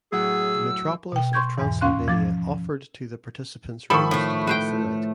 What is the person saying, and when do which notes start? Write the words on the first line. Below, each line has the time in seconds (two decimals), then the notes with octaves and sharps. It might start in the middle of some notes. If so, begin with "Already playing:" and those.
The Metropolis of Transylvania offered to the participants rooms to pass the night.
0.12 A2 F#3 G#4 F#5 E6
1.12 B2 G5
1.33 C6 C#6 G6 G#6
1.58 E2 G#2 E3
1.81 D#2 C#4 F5 C6 F#6
2.08 F3 D6 A6
3.90 D#3 F3 A4 B5 C#6
4.11 A2 A3
4.47 B4 C5 G5